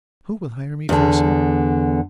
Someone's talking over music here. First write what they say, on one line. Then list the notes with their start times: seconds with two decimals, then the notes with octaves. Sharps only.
Who will hire me for a servant?'
0.89 E2 D3